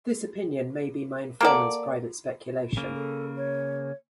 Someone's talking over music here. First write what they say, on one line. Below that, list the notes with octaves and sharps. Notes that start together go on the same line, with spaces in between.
This opinion may be my informant's private speculation.
A#3 A4 D5 F#5 A#5
C#3 A#3
A4
C#5